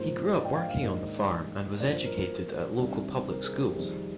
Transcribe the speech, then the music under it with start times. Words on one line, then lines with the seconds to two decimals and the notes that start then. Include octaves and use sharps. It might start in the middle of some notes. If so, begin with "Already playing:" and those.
He grew up working on the farm and was educated at local public schools.
Already playing: G#2 F3 A#3 D#4 C5
0.28 D#5
0.32 D5
0.45 G5
0.53 F5
0.57 G5
0.69 F5
0.81 G#2 D#3 A#3 D4 D#5
1.80 G2 F3 A#3 D4 D5
1.93 C5
2.05 A#4
2.17 A#4
2.79 C2 C3 D#3 G3 D4
3.17 C5
3.28 A#4
3.44 G#4
3.61 G4
3.77 F2 D#3 G3 C4 D#4 G#4